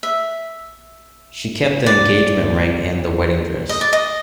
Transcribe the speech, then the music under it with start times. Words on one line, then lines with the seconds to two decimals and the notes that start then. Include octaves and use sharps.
She kept the engagement ring and the wedding dress.
0.03 E5
1.86 D5
3.69 D#5
3.81 D5
3.93 D#5